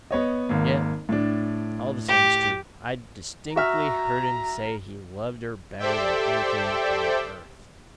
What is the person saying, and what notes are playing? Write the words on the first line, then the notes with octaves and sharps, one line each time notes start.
Yet all the same it's true, I distinctly heard him say he loved her better than anything on earth.
B3 C#5 D#5
G#1 A#3
A2 D4
G4
F#4 E5 A#5 F6
G4 A4 C5 D5 E5 G5